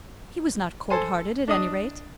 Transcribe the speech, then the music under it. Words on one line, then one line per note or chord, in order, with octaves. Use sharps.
He was not cold-hearted, at any rate.
A4 C5 G#5
D4 D#5 D#6